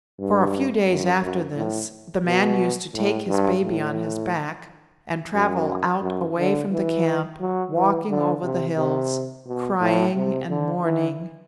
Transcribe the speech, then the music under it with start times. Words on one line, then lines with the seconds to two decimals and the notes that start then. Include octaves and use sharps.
For a few days after this, the man used to take his baby on his back and travel out away from the camp, walking over the hills, crying and mourning.
0.19 G2
0.88 F#2
1.22 F#2
1.56 A2
2.25 B2
2.94 A2
3.28 G2
3.63 A2
5.34 F#2
6.02 F#2
6.38 D3
6.71 E3
7.40 F#3
7.75 E3
8.09 D3
8.43 C3
8.77 C3
9.47 B2
9.81 A2
10.16 C3
10.49 D3
10.83 E3